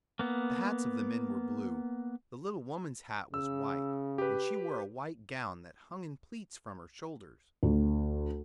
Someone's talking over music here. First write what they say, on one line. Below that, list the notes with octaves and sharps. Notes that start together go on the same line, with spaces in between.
The hats of the men were blue; the little woman's hat was white, and she wore a white gown that hung in pleats from her shoulders.
A#3 B3
C#3 E6
G4 B4
D2